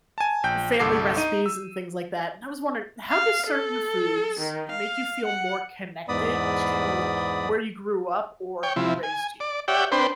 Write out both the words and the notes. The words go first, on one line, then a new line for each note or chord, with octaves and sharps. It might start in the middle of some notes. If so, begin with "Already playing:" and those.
family recipes and things like that, and I was wondering, how do certain foods make you feel more connected to where you grew up or who raised you?
G#5 A5
A#1 G5 G6
G1 C2 A4 D6 C7
D#4 D#7
E6
F5
A4
D#3
F5
F#5
E2 G#2 B3 D5 B5 D#6
C#5 G5
C3 F3 E4
G#5
D5
G4 C#5 D5 E5 F#5 G5
C4 D4 B4 C5 G5